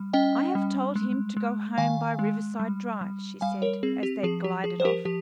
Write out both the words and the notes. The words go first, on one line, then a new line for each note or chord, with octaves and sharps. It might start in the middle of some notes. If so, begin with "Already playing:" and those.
"I have told him to go home by Riverside Drive," she said, as they glided off.
Already playing: G3
C#4 D#5 G5
G3
G#3
G#3
D#3 F5 G#5
G#3
G3
G3
G3 F5 G#5
A#4 C#5
C4 G#4
G4
F3 G#4
G4
F3 G#4
C5
G4 A#4
F3 G4